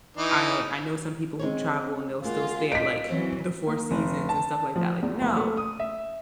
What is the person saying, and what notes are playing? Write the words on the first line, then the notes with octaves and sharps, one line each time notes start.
I I know some people who travel and they'll still stay at, like, the Four Seasons and stuff like that, like, "No,"
E3 D#4
G#3 C4 C#5
G#3 A#3 F4 F#4
D#5 B6 D7
E3 F#3 C4 C#4 C#5
A#3
F1
A5
F3
E2
F#1
A3
D#6
E5